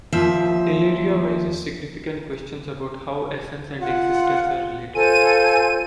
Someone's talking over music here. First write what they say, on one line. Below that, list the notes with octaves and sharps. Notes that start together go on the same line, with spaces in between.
Illyria raises significant questions about how essence and existence are related.
D#2 F3 E5
F4 F#5
F4 A4 C5 G#5 D#7